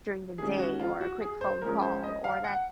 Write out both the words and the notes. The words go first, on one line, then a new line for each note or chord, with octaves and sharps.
during the day, or a quick phone call, or that
D#3 G#3 C#4 G#4
F#4
F4
F#4
G#4
C5
F3 G#3 C#4 A#4
C5
D#5
F5
F#5